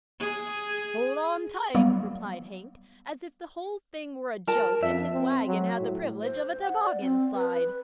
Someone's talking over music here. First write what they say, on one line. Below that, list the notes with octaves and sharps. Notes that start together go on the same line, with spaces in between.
"Hold on tight," replied Hank, as if the whole thing were a joke, and his wagon had the privilege of a toboggan slide.
G#4
F#3 G3 A#3 B3
A#4 A5
F2 E5
C4
F#3
A2
C5
F#5
D5
C4
B4
B4